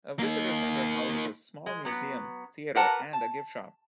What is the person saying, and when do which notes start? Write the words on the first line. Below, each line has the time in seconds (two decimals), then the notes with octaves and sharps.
A visitor center houses a small museum, theater, and a gift shop.
0.19 A#3 D#4
1.66 G#3
1.85 F#3 B3
2.75 G4 A#4 B4 F#5 A5 A#5
3.13 A5